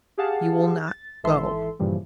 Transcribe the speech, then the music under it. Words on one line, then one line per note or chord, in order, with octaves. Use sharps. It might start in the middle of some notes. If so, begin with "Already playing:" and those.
You will not go?'
G4 G#4 F5 F#5 A5
A6
G#1 E3 A4 E5 C6
G2 A#2 C#3 E3 F3 G3